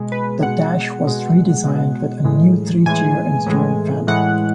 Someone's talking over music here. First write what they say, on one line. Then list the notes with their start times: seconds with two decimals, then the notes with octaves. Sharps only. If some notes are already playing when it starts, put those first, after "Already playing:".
The dash was redesigned with a new three-tier instrument panel.
Already playing: B2 G#3
0.12 B4
0.43 B2 G#3 F#5
1.03 B2 G#3
1.64 B2 G#3
2.24 A2 E3 G#3
2.86 A2 E3 G#3 G#5
3.46 A2 E3 G#3
4.07 A2 E3 G#3 F#5